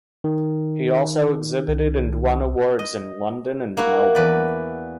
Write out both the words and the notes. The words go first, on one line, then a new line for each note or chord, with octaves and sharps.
He also exhibited and won awards in London and Melbourne.
D#3
C2
D#5
A#3 E4 F#4
E2 B4 D5